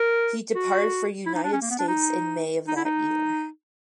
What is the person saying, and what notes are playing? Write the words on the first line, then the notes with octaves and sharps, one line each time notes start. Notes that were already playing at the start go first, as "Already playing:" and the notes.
He departed for United States in May of that year.
Already playing: A#4
F#4
E4
D#4
D4
C#4
A#3
B3
D4
D#4
D#4
E4
D#4